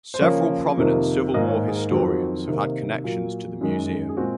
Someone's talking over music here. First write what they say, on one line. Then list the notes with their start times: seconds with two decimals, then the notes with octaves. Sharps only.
Several prominent Civil War historians have had connections to the museum.
0.14 C5
0.21 C#3 F3 A#3 C#5
0.77 F2 C3 D#3 A#3
1.34 G#2 D#3 A#3 D#5
1.48 C#5
1.67 G#4
1.77 A#4
1.91 F2 D#3 F#3 C4 F#4
2.47 C3 D#3 A#3
3.04 A#2 F#3 A#3
3.61 F#2 D#3 G#3
4.09 G#4
4.17 A#2 G#3 C4 F#4